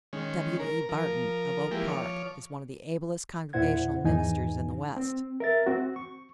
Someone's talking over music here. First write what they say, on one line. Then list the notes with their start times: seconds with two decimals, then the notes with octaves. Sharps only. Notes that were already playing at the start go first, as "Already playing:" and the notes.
W. E. Barton, of Oak Park, is one of the ablest Congregational ministers in the West.
0.13 D#3 G#3 C#4
0.59 A#4
0.89 F3 A#4
1.71 E3 F3 G#3 A#3 G4
1.87 F3 C#5 D6
3.53 E2 A#2 E4 C5 F#5 G#6
4.04 E2 G#2 E3 D#4 G#5
4.97 C4
5.40 A#4 E5 A6
5.66 C4 F#4
5.96 C#6